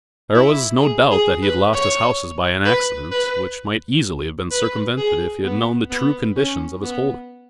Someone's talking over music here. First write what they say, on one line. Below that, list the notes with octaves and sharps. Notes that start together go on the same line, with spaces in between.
There was no doubt that he had lost his houses by an accident which might easily have been circumvented if he had known the true conditions of his holding.
E4
G#4
G#4
B4
C#5
B4
B4
B4
G#4
B3
B3
C#4
B3